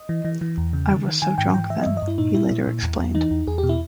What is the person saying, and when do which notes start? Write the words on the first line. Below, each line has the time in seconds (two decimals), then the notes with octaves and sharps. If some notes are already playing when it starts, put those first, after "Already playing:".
"I was so drunk then," he later explained.
Already playing: D#5
0.09 E3
0.25 E3
0.41 E3
0.58 E2
0.73 C#3
0.90 D#3
1.06 D#3
1.22 D#3 G#5
1.38 G#2 G5
1.54 E3 G5
1.70 E3 E5
1.82 D#5
1.86 G2 E5
1.97 D#5
2.02 G2
2.08 E4
2.18 A#2 D#4
2.34 A#2 E4
2.51 A#2
2.67 A#2
2.83 E2
2.99 E2
3.15 E3 D#4
3.31 E2
3.47 E2 G#4
3.58 G4
3.63 B2
3.69 E4